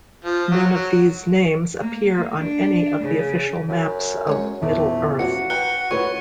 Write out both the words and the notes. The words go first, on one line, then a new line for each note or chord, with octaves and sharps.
None of these names appear on any of the official maps of Middle-earth.
F3
F#3
F#3
A#3
D4
C#3
F#2
G#3 C#4 C#5
D#1 E2 E3 A3
A1 F3 F#3 F#4 C#7
B4 F#5 G5 F#6 C#7 G7
C#2 A2 B4 C#5 C#6